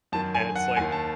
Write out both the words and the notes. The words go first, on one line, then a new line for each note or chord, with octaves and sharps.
And it's like,
F#2 D#3 A5
G#5
F#5
D#2 D#3 G#5
A5